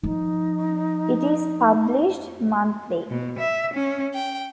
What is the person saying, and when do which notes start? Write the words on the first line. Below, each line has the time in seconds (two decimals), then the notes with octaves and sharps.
It is published monthly.
0.03 F3 D#4
3.10 B2
3.39 E5
3.74 C#4
4.14 G5